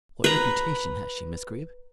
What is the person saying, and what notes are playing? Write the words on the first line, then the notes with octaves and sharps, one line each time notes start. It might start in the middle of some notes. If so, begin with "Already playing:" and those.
"What reputation has she, Miss Greeb?"
B4 A#5